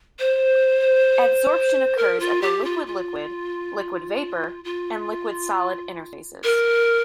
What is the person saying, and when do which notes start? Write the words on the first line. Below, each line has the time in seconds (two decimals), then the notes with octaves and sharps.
Adsorption occurs at the liquid-liquid, liquid-vapor, and liquid-solid interfaces.
0.19 C5
1.97 A#4
2.20 F4
2.42 G4
2.65 F4
2.87 F4
4.64 F4
6.44 A#4